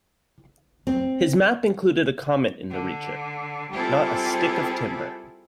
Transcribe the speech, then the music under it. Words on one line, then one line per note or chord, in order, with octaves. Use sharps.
His map included a comment in the region, "not a stick of timber".
C4
D3
G3 C4 E4 F4 G#4 A4